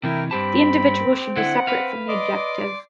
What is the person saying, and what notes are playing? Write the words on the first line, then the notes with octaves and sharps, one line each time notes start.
The individual should be separate from the objective.
C3 E3 E4 A#4 G5
G2 C4 G4 A5 B5
D3 E4 F#5
B4 F5
D5 D#5 C6 D6